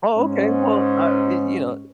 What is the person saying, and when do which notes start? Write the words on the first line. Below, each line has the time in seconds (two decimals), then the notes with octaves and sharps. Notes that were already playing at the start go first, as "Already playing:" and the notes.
oh, okay, well, uh, y you know, eh
0.15 G#2 C#4